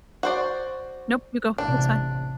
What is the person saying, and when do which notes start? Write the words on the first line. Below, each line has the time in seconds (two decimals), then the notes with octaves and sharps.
Nope, you go. That's fine.
0.23 F#4 C5 D5
1.58 A1 C3 D4